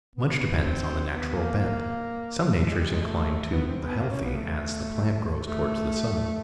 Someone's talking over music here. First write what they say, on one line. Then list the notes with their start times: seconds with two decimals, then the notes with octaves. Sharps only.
Much depends on the natural bent; some natures incline to the healthy as the plant grows toward the sun.
0.15 B3
0.63 C4
1.12 B3
1.35 A#3
1.59 A#3
2.67 G#3
2.79 G3
2.90 G#3
3.03 A3
3.51 B3
3.67 C4
3.83 B3
3.99 A#3
4.11 C#4
4.23 B3
4.35 A3
5.42 A3